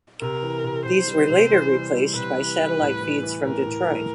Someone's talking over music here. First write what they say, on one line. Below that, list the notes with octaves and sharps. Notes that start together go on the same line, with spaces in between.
These were later replaced by satellite feeds from Detroit.
C3 A#4
E3
C3
C3 C5
G3
C3
E3
G3
G3
C3 B4
E3
G3
A2
E3
E3
A2 A#4
A2
A2